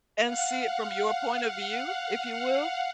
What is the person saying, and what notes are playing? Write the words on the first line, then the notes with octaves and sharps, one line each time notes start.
and see it from your point of view, if you will.
F5 F#5